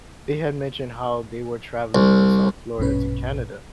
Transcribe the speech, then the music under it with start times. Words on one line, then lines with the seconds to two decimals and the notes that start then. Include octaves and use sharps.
They had mentioned how they were traveling from South Florida to Canada.
1.95 C2
2.78 A#1 G2 B2 C#4 B4